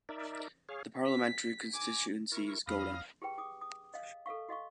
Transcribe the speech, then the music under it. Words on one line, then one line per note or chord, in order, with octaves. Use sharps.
The parliamentary constituency is Godda.
D#4 A#4 D5 E5
G#4 C#5 F5
B6
G#5 D6
E4 A#4 C#6
F2 C#4 E4 F5 B5 D#6 A#6
G4 G#4 B4 G5
G#4 D6 D#6
D#6
D#5 F5
A4 A#4 F5 C#6
F#4 D#5 F5 C#6